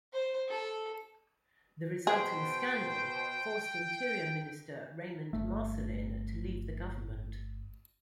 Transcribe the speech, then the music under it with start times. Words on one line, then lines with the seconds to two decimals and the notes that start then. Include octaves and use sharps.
The resulting scandal forced Interior Minister Raymond Marcellin to leave the government.
0.13 C5
0.49 A4
2.07 B2 G#4 C5 G5
5.33 G1 A3